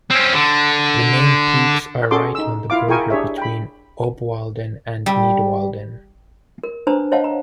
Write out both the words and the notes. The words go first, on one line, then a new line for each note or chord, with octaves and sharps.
The main peaks are right on the border between Obwalden and Nidwalden.
C4 C#4
D3
C#4 F#4 G#4 A4 C6 D6
D#4 E6
E4 F4 F5 D6
E4 G#4 A#4 G5 G#5 C#6
D4 G4 G#4 C#5 E5
G5 B5
G3
A#4
D4 B4 C5 A5 A#5 D#6
C5 C#5 D#5 F5 F#5 A5
A#5